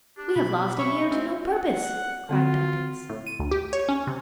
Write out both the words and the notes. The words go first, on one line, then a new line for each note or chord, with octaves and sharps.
"We have lost a year to no purpose!" cried Dantes.
D4 G4
B2 B5
C#4 C#5 E5 B5 C#6
D2 C4 C#4
F#5
D3 C4 F4 F#4
A2
D#7
D2
G4
C#5
C#4
C3